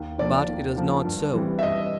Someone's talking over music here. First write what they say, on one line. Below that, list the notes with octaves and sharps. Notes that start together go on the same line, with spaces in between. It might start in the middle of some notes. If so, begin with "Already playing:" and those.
But it was not so.
Already playing: D#2
D3 F3 A#3 D5
D#2
D3 F3 A#3
G2
E3 G3 C4
E5
G2 D#5